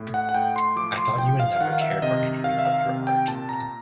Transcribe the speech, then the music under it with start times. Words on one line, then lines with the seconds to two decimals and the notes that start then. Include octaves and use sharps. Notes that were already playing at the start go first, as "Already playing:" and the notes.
I thought you would never care for anything but your art.
Already playing: A2
0.14 F#5
0.29 F#5
0.34 A2 G5
0.56 C6
0.76 F3 D6
0.98 C6
1.18 F3 G5
1.40 F5
1.56 F5
1.60 D#3 F#5
1.73 F5
1.81 E5
2.02 C3 D#5
2.44 D#3 F5
2.59 E5
2.65 F5
2.86 C3
3.07 G5
3.28 A#2 A5
3.49 A#5